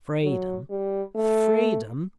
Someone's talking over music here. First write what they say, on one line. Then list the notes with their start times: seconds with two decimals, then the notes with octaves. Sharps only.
Freedom, freedom!
0.24 F#3
0.70 G3
1.15 A3